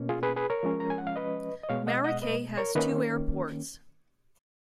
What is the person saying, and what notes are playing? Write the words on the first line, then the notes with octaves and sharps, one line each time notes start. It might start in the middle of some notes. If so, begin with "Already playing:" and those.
Maracay has two airports.
Already playing: B2 A#3 C#4
F4 G#4
G#4 B4
G#4 B4
A#4 C#5
F3 G#3 C#4
A#5
G#5
F#5
F5
B4 D#5
D#5
B2 G#3 B3 C#5 F5
D#5 F#5
D#5 F#5
B4 D#5
A#4 C#5
D#3 A#3 C#4 B4 D#5